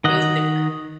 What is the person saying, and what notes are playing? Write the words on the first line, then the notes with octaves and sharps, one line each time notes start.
it was different.
D#3 D#5 F#5